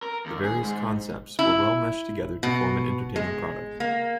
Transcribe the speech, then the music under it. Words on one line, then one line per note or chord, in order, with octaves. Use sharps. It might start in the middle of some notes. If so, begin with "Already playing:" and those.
The various concepts were well meshed together to form an entertaining product.
A#4
D#2
G#4
G#2
E4
B2
G#3
A#3